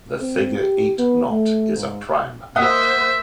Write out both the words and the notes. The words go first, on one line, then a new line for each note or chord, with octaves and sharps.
The figure-eight knot is a prime knot.
C4
G4
B3
A3
G#2
A#3 C5 D#5 E5 F#5